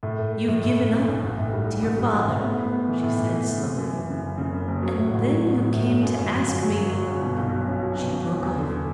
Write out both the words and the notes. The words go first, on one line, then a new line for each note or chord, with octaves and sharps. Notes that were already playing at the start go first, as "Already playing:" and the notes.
"You've given up--to your father," she said, slowly, "and then you came to ask me--" She broke off.
A2
A3
A3
A2
A2
A3
B1
B1
A1
A2
G3
G3
A1
G3
A1
A2
B3
B3
B3
E3
A2
E3
E3
E3
F#1
F#2
E3
C#3
F#1
C#3
F#2
F#1
F#3
A2
A1
F#3
A1
A1
A2
F#3
F#2
G1
F#3
G1
F#3
F#3
F#3
G1
B2
B1
F#3
C#4
F#3
B2
C#4
F#3
E2
D3
D3